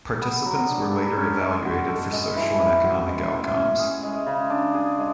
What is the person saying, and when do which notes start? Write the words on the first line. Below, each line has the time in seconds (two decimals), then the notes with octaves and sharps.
Participants were later evaluated for social and economic outcomes.
0.21 B3
0.46 F#3
0.69 D4
0.93 A4
1.17 C#4
1.40 G#3
1.65 F#4
1.88 A4
2.12 G#3
2.36 E3
2.59 C#4
2.84 F#4
3.07 G#3
3.32 A2
3.56 C#4
3.79 G#4
4.03 G#3
4.26 C#3
4.50 D4
4.74 G#4
4.98 G#3